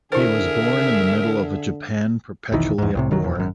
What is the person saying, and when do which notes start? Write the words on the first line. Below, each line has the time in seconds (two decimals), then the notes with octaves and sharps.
He was born in the middle of a Japan perpetually at war.
0.12 D3 E4 G#4 A#4 C5 E5
2.52 F1 B1 D#3 E3
2.78 E2 G#2
2.95 C2 A2 C3
3.11 C2 D#3 F#3
3.22 E1 E2
3.35 G#1 F#2